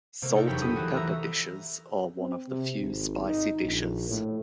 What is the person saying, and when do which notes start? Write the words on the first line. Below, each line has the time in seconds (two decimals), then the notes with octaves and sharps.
Salt and pepper dishes are one of the few spicy dishes.
0.22 C3 A3 A#3
0.35 D#4 A4 A#4
0.47 E1 F#3 G4 C#5 G5 B5
0.62 D#6
0.76 E3 F#4
0.96 E5 A#5
2.17 C4
2.49 C3
2.80 G#1
3.27 D#4
3.61 A#1
4.09 A2